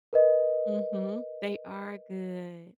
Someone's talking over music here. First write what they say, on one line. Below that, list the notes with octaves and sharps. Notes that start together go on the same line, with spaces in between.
Mhm, they are good.
A#4 B4 D#5